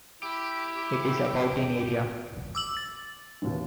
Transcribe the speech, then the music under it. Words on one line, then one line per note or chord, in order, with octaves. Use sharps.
It is about in area.
E4 G4
D6 E6 F#7
A6
A1 D#2 B2